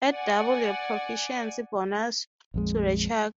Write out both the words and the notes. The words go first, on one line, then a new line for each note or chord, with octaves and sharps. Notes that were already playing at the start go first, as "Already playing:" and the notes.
Add double your proficiency bonus to the check.
D5 F#5 G#5
A#1 F2 G#3